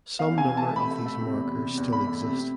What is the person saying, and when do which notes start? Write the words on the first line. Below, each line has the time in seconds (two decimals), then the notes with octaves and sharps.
Some number of these markers still exist.
0.19 E2 F5
0.33 C3 G#5
0.48 E3
0.57 A5
0.63 A3
0.76 C3 B5
0.91 A3
1.06 A3
1.21 C3
1.34 E2
1.49 C3
1.63 C3
1.77 E2
1.92 E2 B5
2.07 A3
2.21 C3
2.35 C3